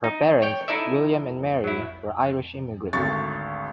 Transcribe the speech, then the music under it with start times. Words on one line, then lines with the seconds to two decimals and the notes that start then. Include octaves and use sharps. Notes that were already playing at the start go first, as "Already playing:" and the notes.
Her parents, William and Mary, were Irish immigrants.
0.04 D#4
0.42 C#5 D5 G5
0.68 D#4 E4 A4 D5 E5
1.64 F#3 E4
2.93 G#1 D2 C#6 A6